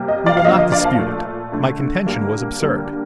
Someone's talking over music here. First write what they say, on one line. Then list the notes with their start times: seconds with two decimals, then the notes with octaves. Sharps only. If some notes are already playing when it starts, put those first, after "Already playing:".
We will not dispute it; my contention was absurd.
Already playing: C3 G3 A#3
0.08 D#5
0.26 D5 F5
0.37 F5
0.45 D3 F3 A#3 D#5
0.58 D#5
0.72 D5 F5
0.84 F5 A5
0.99 A#2 A3
1.52 D3 A3
2.07 D3 G3 A#3
2.60 D3 G3 A#3